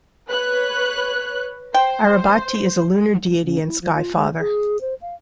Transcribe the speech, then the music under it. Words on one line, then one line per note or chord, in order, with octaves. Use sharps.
Arebati is a lunar deity and Sky Father.
B4 C#5 F#6
C5 G5
C#3
E4
F3
F4
G#3
G#4
C5
F5